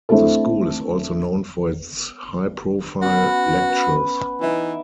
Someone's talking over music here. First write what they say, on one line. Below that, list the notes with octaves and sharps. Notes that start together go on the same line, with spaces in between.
The School is also known for its high-profile lecturers.
A3 C4 D4 E4 A4
B3 C#4 F#4
B4
E3 D#4 E5 D6